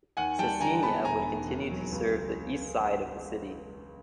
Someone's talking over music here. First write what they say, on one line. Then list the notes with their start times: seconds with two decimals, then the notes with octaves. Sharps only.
Scecina would continue to serve the east side of the city.
0.17 D#2 F#5 G#5
0.39 G3 G5 A5
0.60 D3 G#5 A#5
0.83 B3 A5 B5
1.05 E1 G#5 A#5
1.26 D#3
1.48 D#2
1.70 F#3
1.92 C#2